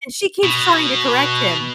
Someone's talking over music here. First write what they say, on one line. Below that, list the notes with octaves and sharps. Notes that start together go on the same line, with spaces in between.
And she keeps trying to correct him,
B2